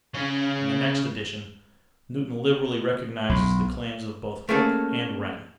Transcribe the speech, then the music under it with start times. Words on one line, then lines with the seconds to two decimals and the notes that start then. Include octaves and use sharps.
In the next edition Newton liberally recognizes the claims of both Hooke and Wren.
0.14 C#3 C#4
3.29 B1
4.49 A3 A#3 C#4 G#4 A4